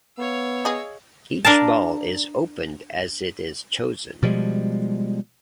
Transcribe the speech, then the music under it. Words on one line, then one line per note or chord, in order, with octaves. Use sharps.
Each ball is opened as it is chosen.
B3 C#5 F5 E6
G#4 D#5
D4 A#4 F5 A5
B2 F3 G3 G#3